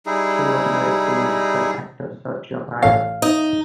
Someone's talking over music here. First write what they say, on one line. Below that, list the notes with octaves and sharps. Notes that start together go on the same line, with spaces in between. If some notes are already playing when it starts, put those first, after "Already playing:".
She was married to Mexican actor Sergio Mayer.
G3 D#4 E4 G#4
A1 A4 C#5 F5
D#4